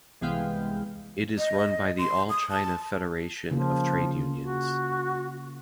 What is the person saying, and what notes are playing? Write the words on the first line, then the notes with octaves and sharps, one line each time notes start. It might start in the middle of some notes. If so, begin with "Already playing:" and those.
It is run by the All-China Federation of Trade Unions.
C2 E3 G#3 B3 F5 G5
D#5
C6
D#6
A5
C#3 F3 A#3 F4
F#4